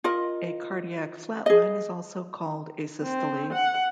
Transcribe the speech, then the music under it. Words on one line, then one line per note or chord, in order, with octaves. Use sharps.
A cardiac flatline is also called asystole.
F4 A#4 D#5
G#4 D#5
C4
F#5